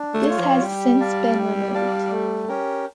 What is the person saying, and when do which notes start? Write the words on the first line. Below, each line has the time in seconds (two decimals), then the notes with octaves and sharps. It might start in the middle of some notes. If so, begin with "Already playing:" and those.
This has since been removed.
Already playing: D4
0.14 A3
0.26 F4 C#5
0.38 F3
0.63 G3 G4
1.00 D5 F5 A5
1.38 G4
1.74 D5 F5 A5
2.11 A3
2.48 C#4 G4 A#4